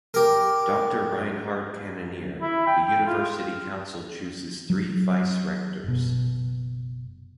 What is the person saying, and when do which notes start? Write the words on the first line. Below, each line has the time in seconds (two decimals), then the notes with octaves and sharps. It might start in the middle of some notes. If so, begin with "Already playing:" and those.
Doctor Reinhard Kannonier, the University Council chooses three Vice-Rectors.
0.14 G4 A#4
2.42 E4
2.67 G5
2.87 G5
3.07 F4
4.70 F#3
5.84 F#1 B2